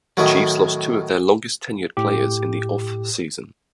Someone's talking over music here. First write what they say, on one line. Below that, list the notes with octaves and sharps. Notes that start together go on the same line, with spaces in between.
The Chiefs lost two of their longest tenured players in the offseason.
A2 D#3 F#3
A2 G4